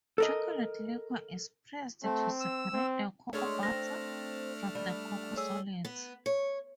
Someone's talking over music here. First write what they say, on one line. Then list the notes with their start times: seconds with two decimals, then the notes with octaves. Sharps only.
Chocolate liquor is pressed to separate the cocoa butter from the cocoa solids.
0.18 A4 A#4 D#5
2.03 A3 C4
2.41 E6
2.72 C4
3.33 G#3 A3 D4 A4 C#5 F6
3.63 C4 A#6
4.75 G3
5.36 A3 G#4 C#5 E6
5.85 B3
6.26 C#5